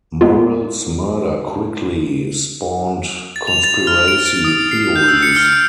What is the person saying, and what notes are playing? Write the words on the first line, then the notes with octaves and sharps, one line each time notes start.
Murrell's murder quickly spawned conspiracy theories.
G#3 B3 F4
A6
F7
A6
F6
D7
D7
D#6
C7
G6
E6
C#7
F6